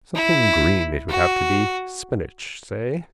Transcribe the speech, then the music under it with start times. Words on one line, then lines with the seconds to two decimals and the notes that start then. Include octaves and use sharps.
Something green it would have to be: spinach, say.
0.15 E4
1.09 F#4